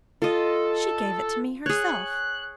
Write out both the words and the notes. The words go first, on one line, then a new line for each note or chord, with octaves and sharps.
"She gave it to me herself."
F4 A4 D#5
G#4 C#5 F#6